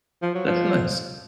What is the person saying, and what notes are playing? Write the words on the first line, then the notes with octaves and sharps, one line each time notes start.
That's nice.
F3
F#3
F3